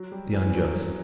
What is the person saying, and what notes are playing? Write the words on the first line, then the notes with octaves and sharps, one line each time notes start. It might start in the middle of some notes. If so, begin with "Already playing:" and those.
The unjust?
Already playing: F#3
G3
E3
F#3